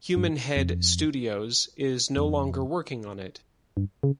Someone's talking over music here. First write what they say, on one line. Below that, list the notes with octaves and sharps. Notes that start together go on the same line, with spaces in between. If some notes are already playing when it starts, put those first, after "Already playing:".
Human Head Studios is no longer working on it.
G2
F2
F2
G2
C#3